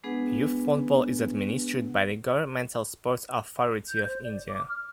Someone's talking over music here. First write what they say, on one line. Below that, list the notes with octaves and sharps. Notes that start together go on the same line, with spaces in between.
Youth football is administered by the governmental Sports Authority of India.
G#3 B3 D4 G#4 B4 F#5
G6
C5
D5
D6
F6